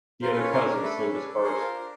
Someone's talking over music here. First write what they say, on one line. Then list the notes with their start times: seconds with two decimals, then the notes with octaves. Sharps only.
The other cousins soon disperse.
0.22 F4 A#4 C5
0.32 A4 B4
0.37 C#4
0.42 B4 C#5
0.52 D4 A#4 C5
0.68 D4 A#4
0.82 A3 A4 B4
0.97 C#4
1.13 D4
1.28 A4
1.43 G#4 A#4 C5
1.58 F4
1.74 D4